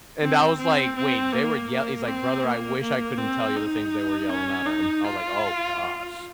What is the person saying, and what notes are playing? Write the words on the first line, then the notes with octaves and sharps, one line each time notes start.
And I was like, "Wait, they were yell" he's like, "Brother, I wish I couldn't tell you the things they were yelling at him." I was like, "Oh gosh."
C4
C4
C4
A#3
A#3
C4
A#3
A#3
C4
D#4
C#4
D#4
F4